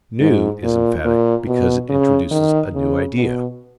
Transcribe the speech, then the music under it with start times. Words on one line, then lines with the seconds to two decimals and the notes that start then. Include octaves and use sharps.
"New" is emphatic because it introduces a new idea.
0.21 G#2
0.63 A#2
1.05 A#2
1.47 B2
1.89 C#3
2.31 D#3
2.74 C#3
3.17 B2